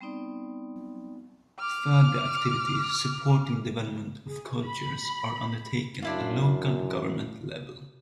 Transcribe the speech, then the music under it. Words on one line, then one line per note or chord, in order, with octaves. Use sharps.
Further activities supporting development of culture are undertaken at local government level.
G3 B3 C4 D#4 D5
D6 F6
G#4
B5
F#2 D4 E4 F4